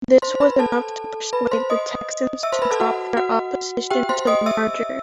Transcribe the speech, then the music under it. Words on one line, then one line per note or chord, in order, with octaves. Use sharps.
This was enough to persuade the Texans to drop their opposition to the merger.
C5 C6
B4 B5
A4 A5
B4 B5
C5 C6
D#5 D#6
E5 E6
C5 C6
B4 B5
A4 A5
F#4 F#5
F#4 F#5
G4 G5
C5 C6
D#5 D#6
E5 E6